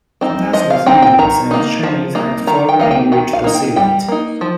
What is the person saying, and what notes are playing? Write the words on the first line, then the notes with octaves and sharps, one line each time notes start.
Contacts with Indians and Chinese has further enriched silat.
C4 D#4
F3 D#5
F5
C4 D#4 G5
G5
D#3 A#5
A#3 D#4
F3
A#3 D#4
D#3 A#5
G5
A#3 D#4 F5
G5
D#3 G5
F5
A#3 D#4
G5
G3 G5
A#3 D#4
F3